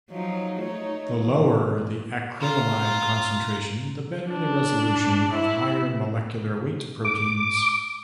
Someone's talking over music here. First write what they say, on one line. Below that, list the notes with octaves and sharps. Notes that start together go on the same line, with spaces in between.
The lower the acrylamide concentration, the better the resolution of higher molecular weight proteins.
F3 F#3 D#4
A3 D#4 C#5
E3
F4 A#5
D4
E4
D6